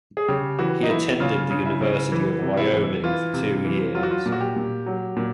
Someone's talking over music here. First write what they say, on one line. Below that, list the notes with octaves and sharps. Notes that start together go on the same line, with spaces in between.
He attended the University of Wyoming for two years.
G#4
C#3 G4
E3 F#4
D#4
E3 E4
C#3 F4
C#3
E4
C#3
E3
C3
E4
E3
E3 F4
C3
E3
F#3 F4
F#4
F4
A#2
F#4
G4
A#2
F#3
A#2